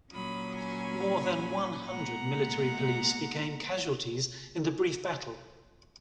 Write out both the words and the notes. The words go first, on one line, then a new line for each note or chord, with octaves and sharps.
More than one hundred military police became casualties in the brief battle.
A#2 F#3 C#4 B5 D#6
G#5 B5
A#2 G#3 B3 F#5 A#5